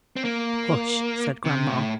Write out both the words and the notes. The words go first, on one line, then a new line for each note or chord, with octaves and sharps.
"Hush!" said grandma.
C4
A#3
C3
A2